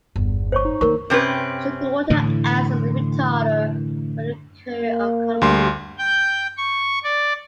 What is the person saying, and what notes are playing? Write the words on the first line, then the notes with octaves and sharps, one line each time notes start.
Sugar water acts as a retarder for the curing of concrete.
G1 E2
C5 C#5 C#6
D#4
D#3 A#3 A#4 C#6
C3 C4 C#4 B4
A2 D3 E3
A#3
D2 G3 C6
G5 G6
C#6
D5